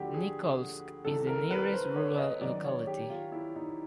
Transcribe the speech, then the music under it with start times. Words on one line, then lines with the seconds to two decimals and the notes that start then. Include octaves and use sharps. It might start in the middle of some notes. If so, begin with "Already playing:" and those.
Nikolsk is the nearest rural locality.
Already playing: D2 D3 F3 F#4 G4
0.14 G#4
1.05 C2 C3 D#3 A4
1.27 A#4
1.51 B4
1.73 C5
1.96 C#5
2.18 D#5
2.41 F#2 D#3 D5
2.64 C#5
2.87 G4
3.10 F4
3.32 E4
3.56 D#4